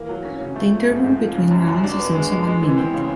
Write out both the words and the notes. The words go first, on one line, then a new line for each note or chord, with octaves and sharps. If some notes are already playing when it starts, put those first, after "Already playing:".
The interval between rounds is also one minute.
Already playing: E3 A#3
F#3
C#4
C#3
A3
F3
G#2
G#2
F3
C#3
F#2
F#2
D4
B3
G#3
G#3
G#3
E3
C4
C#3